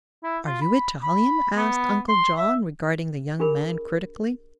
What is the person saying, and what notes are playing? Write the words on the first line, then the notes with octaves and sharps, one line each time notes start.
"Are you Italian?" asked Uncle John, regarding the young man critically.
E4
F4
B5
B5
B3
C6
E5
D4 G4 G#4 A#4 B5